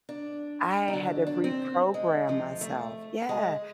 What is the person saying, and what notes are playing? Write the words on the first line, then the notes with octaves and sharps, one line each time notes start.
I had to reprogram myself Yeah,
D4
D#4
D#2 D3 F#3 D4
D4
C4
G#3
D2 C3 F3
A3
G#3